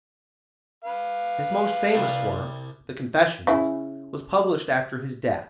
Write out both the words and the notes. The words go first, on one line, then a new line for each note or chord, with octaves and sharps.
His most famous work, the "Confessions," was published after his death.
B4 F5
C2 G3 E4
C#3 E4